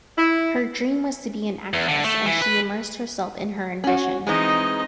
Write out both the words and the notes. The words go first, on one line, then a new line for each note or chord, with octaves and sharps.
Her dream was to be an actress and she immersed herself in her ambition.
E4
E2
D3
A3
E3
B4
C#4 F#4
E3 G#3 C4 D#4 D#5